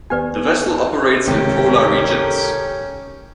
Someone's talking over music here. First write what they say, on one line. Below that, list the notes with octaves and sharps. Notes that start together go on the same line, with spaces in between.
The vessel operates in polar regions.
D#2 B3 G4 B4 D5 G#5
G#1 C#2 C3 C#4 G4 A4 A#4